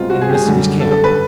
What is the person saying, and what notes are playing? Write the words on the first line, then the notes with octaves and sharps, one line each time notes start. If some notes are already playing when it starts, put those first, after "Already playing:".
"In the midst of his camp."
Already playing: C2 B2 G#3 C4 F4
F#4
G#4
G4
G#4
F#2 D3 G3
A4
A4
B4